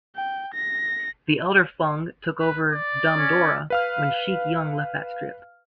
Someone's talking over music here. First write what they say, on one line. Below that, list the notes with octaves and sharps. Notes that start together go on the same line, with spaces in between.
The elder Fung took over "Dumb Dora" when Chic Young left that strip.
G5
A#6
B4
D5
C#4
B4 F5 F6